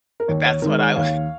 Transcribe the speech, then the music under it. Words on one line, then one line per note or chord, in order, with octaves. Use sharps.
That's what I wa
A#4
D#2 C#5
C#5
D#3 G#3 A#4
C#5
D#2 C#5 F5